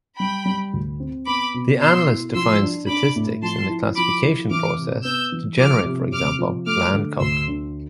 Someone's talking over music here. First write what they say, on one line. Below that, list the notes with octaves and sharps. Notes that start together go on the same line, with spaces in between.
The analyst defines statistics in the classification process to generate for example land cover.
G3 G5 B5
G3
D2
C4
B3 B5 D6
B2
B2 C6 E6
E4
F3 C6 E6
D4
D4 B5 D6
A2
F3 A5 C6
E4
F3 B5 D6
E4
E3 D6 F6
C3
B3 E6 G6
E3
F3 D6 F6
C3
C3 D6 F6
F3
A3 D6 F6
D3
D2 C6 E6
D3